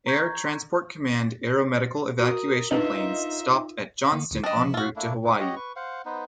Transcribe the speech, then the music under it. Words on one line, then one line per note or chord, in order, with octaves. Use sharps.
Air Transport Command aeromedical evacuation planes stopped at Johnston en route to Hawaii.
A#5 C#6 G6 G#6
F#4 A#4 D#6
D4 D#4 F4 B4 E5
D3 A#3
D2 D3 E4
D4 D#5 G5 D#6
C3 F3
F4 F#4 E6
A3 A#3 D4 E4
D#4 E4 B4
G4 C#5 D#5 F#5
B4 C#6
C5 F5 F#5
B3 D#4 B4 C5